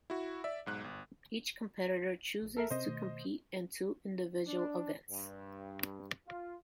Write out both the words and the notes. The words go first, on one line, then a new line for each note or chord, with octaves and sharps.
Each competitor chooses to compete in two individual events.
E4 F#4
D5 E5
B1 G#2 F#6
G1
A#1
A4 A#4 E5
C3 C4 C#4 C5 D#5
B2 D#3 A3
D4
G2
F4